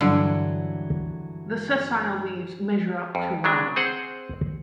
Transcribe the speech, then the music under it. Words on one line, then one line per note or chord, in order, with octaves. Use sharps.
The sessile leaves measure up to long.
G2 D3 E3 F#3
F2
F#3 G#3 D4
C4 G#4 C5 F#5